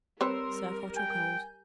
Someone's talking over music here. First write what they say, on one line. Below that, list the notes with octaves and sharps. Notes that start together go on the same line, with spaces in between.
Serve hot or cold.
G3 C4 A#4 B4 C#5 C6 E6
G5 G#5 G6